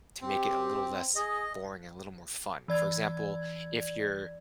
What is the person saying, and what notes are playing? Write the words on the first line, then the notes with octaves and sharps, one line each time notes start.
to make it a little less boring and a little more fun. For example, if you're
C4 G4
G#4 D#5
E3 D5 G#6